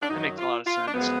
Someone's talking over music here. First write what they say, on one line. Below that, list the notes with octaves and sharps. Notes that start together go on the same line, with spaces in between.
That makes a lotta sense.
D4
F#2 D#3 F#3 D#4
F4
F4
D4
F#2 F3 G#3 B3